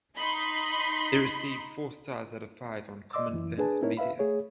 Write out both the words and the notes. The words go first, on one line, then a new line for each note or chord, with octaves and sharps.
It received four stars out of five on "Common Sense Media".
D#4 B5 C6
D5 D#5 C6 D6 E6
F#2 E3 E4
D4 G#4 B4 G#5 A5
C4 D#4 E4 A#4 C#5
B4 E5 F5 B5
A3 G#4 C#5